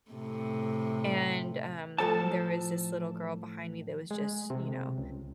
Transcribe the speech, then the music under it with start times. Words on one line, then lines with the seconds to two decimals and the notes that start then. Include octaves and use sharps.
and, um, there was this little girl behind me that was just, you know,
0.11 A2 C3
1.98 A2 F3 A4 C5 A5
4.11 G#3
4.50 C3
4.98 C#2